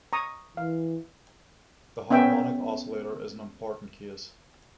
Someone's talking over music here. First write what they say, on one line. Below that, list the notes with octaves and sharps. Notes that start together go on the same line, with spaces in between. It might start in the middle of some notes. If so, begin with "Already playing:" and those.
The harmonic oscillator is an important case.
A#5 C#6 D#6
E3 F5
B3 C#4 E5 G5